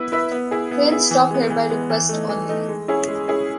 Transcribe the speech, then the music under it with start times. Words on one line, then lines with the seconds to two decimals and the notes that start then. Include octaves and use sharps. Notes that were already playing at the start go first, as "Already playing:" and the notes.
Trains stop here by request only.
Already playing: B3 E4 B4 E5
0.12 E4 B4 E5
0.32 B3
0.51 E4 G#4
0.71 B3
0.91 E4 G#4
1.11 E3
1.31 G#3 B3
1.50 E3
1.70 G#3 B3
1.90 E3
2.09 A3 D#4
2.29 E3
2.49 A3 D#4
2.69 G#3
2.88 C#4 E4 G#4
3.08 G#3
3.28 C#4 E4 G#4